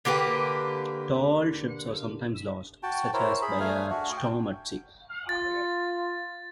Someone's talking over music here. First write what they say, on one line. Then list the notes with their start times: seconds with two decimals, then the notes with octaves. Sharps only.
Tall ships are sometimes lost, such as by a storm at sea.
0.05 D3 A#3 G4 B4
2.83 F#4 G5 A5
3.14 E4 A#4 C5 C#5
3.42 G#4 B5
3.60 A3 F5 G#5
3.90 D4 F#4
4.17 G5
5.29 F4 A6